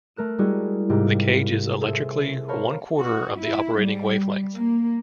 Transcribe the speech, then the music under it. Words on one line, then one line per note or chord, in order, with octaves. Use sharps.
The cage is electrically one-quarter of the operating wavelength.
A3 A#4 F#6 E7
G3 G#3 C4 E4 F#4 G#4
G#2 C3 E4 F4 G4
G#4 A4 C5 E5
A#4 C5 C#5 F5 A5 B5
F#4
E4
G3
A#3